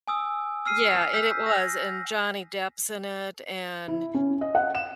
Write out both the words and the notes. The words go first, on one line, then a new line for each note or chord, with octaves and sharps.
Yeah, and it was, and Johnny Depp's in it, and
G#5 D#6 E6
E6 F6 C7 D#7
E6 G6 B6
A#6
E4
C#4
D#5
F#5
E7